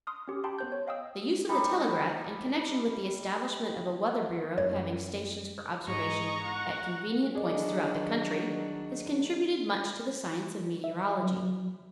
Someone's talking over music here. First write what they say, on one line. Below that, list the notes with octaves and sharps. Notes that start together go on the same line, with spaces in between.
The use of the telegraph in connection with the establishment of a weather bureau having stations for observation at convenient points throughout the country has contributed much to the science of meteorology.
C6 D#6 F6
C#4 G4
G4 G5 A5 B5 C6
B3 C5 G6
C#5
D#5 F5 G5 D#6 E6
G3 D#4
F#2 C#5
G#2 G#4 D#5 A#5 C#6
F#5
D#3 F#3 D4 G#4 D5 D#5
E5
F#3